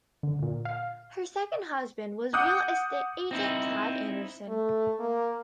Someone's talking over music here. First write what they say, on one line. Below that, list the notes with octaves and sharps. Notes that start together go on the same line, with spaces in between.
Her second husband was real estate agent Clive Anderson.
D3
A#2
F5
F#5 D6 D#6 F#6 G6
C4 D#4 E4
A3
A#3